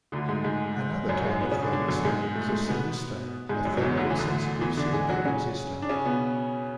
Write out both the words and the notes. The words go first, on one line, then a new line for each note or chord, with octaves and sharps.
Another type of thermistor is a silistor, a thermally sensitive silicon resistor.
D2 D3
G#2 G#3
G#2 G#3
F#2 F#3
G#2 G#3
B2 B3
C#3 C#4
D3 D4
D3 D4
F#2 F#3
G#2 G#3
G#3
A3
G#2 G#3
B2 B3
G#2 G#3
F#2 F#3
F#3
E2 E3
D2 D3
E3
D2 D3
E2 E3
D3 D4
G#3 G#4
F#3 F#4
C#3 C#4
D4
C#3 C#4
B2 B3